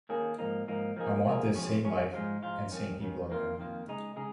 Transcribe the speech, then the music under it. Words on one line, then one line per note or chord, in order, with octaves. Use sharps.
I want this same life, and same people around me.
D#3 A#3 C#4 G#4
G#2 F3 A#3 D#4
G#2 F3 A#3 D#4
F3 A#3 D#4 G#4
F3 A#3 D#4 G#4
F2 F3 C#4 G#4 C#5
F2 F3 C#4 G#4 C#5
G#2 F3 G#3 F4
G#2 F3 G#3 F4
F2 D#3 C#4
F2 D#3 C#4
F2 D#3 A#3 F4
F2 D#3 A#3 F4
C#3 G#3 D#4 G#4
C#3 G#3 D#4 G#4